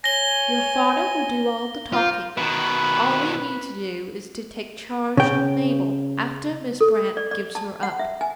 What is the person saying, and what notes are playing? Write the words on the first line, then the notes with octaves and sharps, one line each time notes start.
"Your father will do all the talking. All we need to do is to take charge of Mabel, after Miss Brant gives her up."
C#5 G#5 A#6 G7
F4 C5
B2 D#3 B4
C#3 G5
A4
D5
D5
A5
F#5
E5
G#5